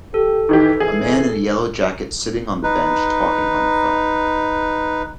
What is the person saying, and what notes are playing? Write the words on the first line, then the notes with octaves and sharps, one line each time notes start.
A man in a yellow jacket sitting on the bench talking on the phone.
G4 A4
D#3 E3 D#4 G4
E3 G#4
D#4 B4